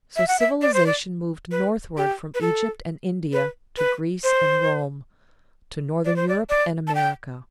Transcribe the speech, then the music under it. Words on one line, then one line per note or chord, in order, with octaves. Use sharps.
So civilization moved northward from Egypt and India to Greece and Rome, to northern Europe and America.
E5
F#5
E5
D5
C5
D5
B4
G4
B4
A4
B4
B4
C5
D5
C5
D5
D5
A5
G5